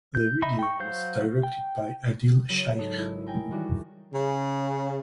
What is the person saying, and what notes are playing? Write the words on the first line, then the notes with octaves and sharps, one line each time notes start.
The video was directed by Adil Shaikh.
G6
D#4 D#5 E5 B5
G5 C#6
F#3 C5 F5 G6
G5
C#3 F#3 A#4 D#7
G#2 D#4 A4
G#1 E4
A#4 G5 G#5
D#3 E3 G3 F#4 G#4
C#3